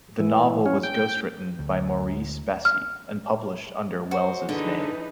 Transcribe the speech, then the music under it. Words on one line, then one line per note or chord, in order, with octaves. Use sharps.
The novel was ghostwritten by Maurice Bessy and published under Welles's name.
E3
C#4
G5
D2
F6
F#4 C5
D3 E3 D#4 G#4 B4